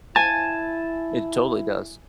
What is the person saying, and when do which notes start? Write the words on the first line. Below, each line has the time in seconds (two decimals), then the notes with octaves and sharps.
It totally does.
0.16 E4 G#5 A5